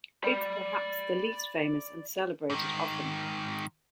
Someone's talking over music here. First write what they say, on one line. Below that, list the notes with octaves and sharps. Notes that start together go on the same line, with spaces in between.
It is perhaps the least famous and celebrated of them.
D5 B5
G#2 D#3